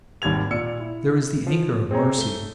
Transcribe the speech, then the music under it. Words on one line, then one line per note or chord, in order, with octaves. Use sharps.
There is the anchor of mercy.
G#1 D#2 G3 G#6 F7
A#2 D5 E6 C#7
E4
F3
C4 G#4 C#5 A#5
A3 G7